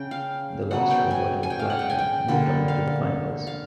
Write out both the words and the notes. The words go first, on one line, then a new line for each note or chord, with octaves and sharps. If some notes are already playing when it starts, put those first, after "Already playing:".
The last robot on the platform moved on to the finals.
Already playing: C#3 G5
F5
C#3 F#3 B3 F#5
G5
G#5
G#5
G5
F5
F#5
G5
G#5
G5
D3 G3 A#3
F5
F5